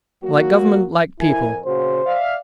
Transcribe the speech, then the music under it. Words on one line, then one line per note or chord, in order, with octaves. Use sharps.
Like government, like people.
F#3 A#3 F#4
F2 E4 A#4 G#5
A#2 C#3 F#4 C5
D5 E5 F5